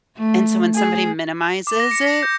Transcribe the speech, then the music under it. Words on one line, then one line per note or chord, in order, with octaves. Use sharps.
And so, when somebody minimizes it
A3
G#4
D6
A#6
C#7
A#6
G6